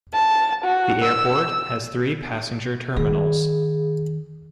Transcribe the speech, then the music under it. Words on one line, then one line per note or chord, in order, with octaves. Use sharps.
The airport has three passenger terminals.
A5
F#4
E6
D#3 G#4